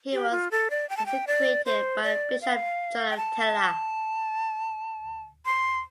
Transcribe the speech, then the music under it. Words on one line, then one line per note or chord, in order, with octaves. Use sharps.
He was consecrated by the bishop John of Tella.
G4
F4
A4
D5
G5
A5
G5
D5
C5
D5
F5
G5
A5
C6